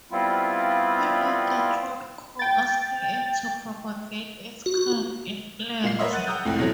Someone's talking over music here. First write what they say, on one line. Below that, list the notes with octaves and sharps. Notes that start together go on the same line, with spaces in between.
He let the trout go, asking it to propagate its kind in plenty.
G3 B3 C4 E4 F4
G5 A6
F#4
A#2 F5 C7
A#4 B4 C#5 D#5 E5 C6
F#5 F#6 A6 D#7
F#5 G5 A#5 D#6 E6 G6
C2 F2 A2
B2 E3 F#3 A3 C4